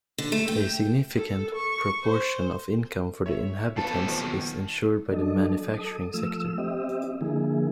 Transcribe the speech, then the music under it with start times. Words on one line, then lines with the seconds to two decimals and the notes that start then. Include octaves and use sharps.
A significant proportion of income for the inhabitants is ensured by the manufacturing sector.
0.18 D3
0.32 A3
0.48 G5
1.16 A4
1.55 C#6
2.02 C5
3.26 C#5 E5
3.77 B2 A4 B4 F5 A5
3.91 A3 C4 G4
4.07 D#2 F3 B3
5.11 F#3 D4 A4 D#5
5.74 A4 D#6
6.14 F3 A3 E6
6.58 C4 G4 D#5 E5
7.21 D3 F3 A#3 E4 G#4